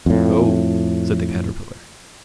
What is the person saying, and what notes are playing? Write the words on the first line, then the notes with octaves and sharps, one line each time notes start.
'No,' said the Caterpillar.
F2 A2